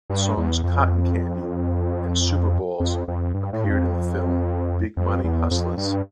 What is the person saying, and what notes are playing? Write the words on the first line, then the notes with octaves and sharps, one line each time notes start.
The songs "Cotton Candy" and "Super Balls" appeared in the film "Big Money Hustlas".
G2
E2
F2
F2
F2
G2
A2
G2
F2
F2
E2
F2
G2